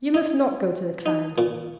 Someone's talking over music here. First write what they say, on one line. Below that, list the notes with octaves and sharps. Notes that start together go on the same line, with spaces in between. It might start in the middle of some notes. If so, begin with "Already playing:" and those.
'You must not go to the Clarendon.
D#4
D#4
A#2